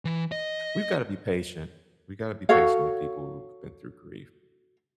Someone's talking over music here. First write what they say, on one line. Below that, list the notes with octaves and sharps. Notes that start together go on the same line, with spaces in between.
we've gotta be patient. We gotta be patient with people who've been through grief.
E3
D#5
F#4 A4 C#5 F5